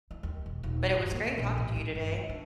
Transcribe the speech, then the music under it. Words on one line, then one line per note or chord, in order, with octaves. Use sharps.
But it was great talking to you today.
E4
D#2
E1
D#1
G2
A#3
A#1
A1
E4
G1
C4
D4